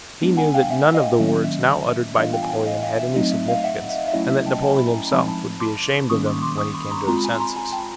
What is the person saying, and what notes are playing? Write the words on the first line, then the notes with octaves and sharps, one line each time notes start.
He knew that none of the words now uttered by Napoleon had any significance, and that Napoleon himself would be ashamed of them when he came to his senses.
G#3 B3 D4
F#5 G#5
F5 G5
E5 F#5
D#5 F5
D#3 F#3 A#3 C#4 D#5
E5
E3 G3 B3 D4 F4 D#5 F5
F5 G5
G#5
F5 G5
D#5 F5
D#5 F5
E5
F#3 A3 C4 D#4 D#5
E5
D#5 F5
E5 F#5
E5
E5
F#3 A3 C#4 E4 D#5
E5
G5 A5
G5 A5
B5
G#5 A#5
A#5
F3 G#3 C4 D#4 A5 B5
A5 B5
C6 D6
D#3 G3 A#3 C#4 C#6 D#6
C6 D6
C6 D6
C#6 D#6
B5 C#6
A#5 C6
G#3 C4 F4 A#5 C6
B5
G#5 A#5
A#5 C6
G#5 A#5
G5 A5